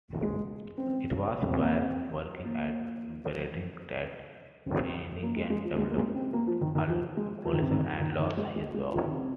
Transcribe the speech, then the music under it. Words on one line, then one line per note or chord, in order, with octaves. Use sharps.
It was while working at Brading's that Finnigan developed alcoholism and lost his job.
G#3
C4
C4
A#3
C4
A#3
C4
A#3
G#3
G#3
F3
G#3
A#3
G#3
C4
A#3
F3
D#3
D#3
F3
G#3
F3
D#3
C3
D#3
D#3
D#3
G#3
G#3
G#3
F3
D#3
C3